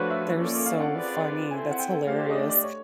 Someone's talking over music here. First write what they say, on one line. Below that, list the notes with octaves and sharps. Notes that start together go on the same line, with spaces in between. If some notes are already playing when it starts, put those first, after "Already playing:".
They're so funny. That's hilarious.
Already playing: F3 A3 D4 F#4 B4 C#5
E5
A#3 C#4 F4 A4 D5
F5
F#5
C4 F4 G#4 B4 D5
C4 E4 A4 C5 G#5
F#5
G5
A3 D4 G4 C5 F5
D#5
D5
D5
C#5